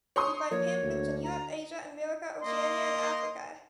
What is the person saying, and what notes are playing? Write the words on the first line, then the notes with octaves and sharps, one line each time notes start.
We find Pan flutes in Europe, Asia, America, Oceania and Africa.
C#5 C6 D#6
F3 A#3 C#5
D2
A#5
A#3 D#5 C6